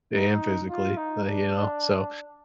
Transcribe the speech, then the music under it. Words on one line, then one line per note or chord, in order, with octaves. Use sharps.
and physically, like, you know, so,
D#4
F4
D#4
D4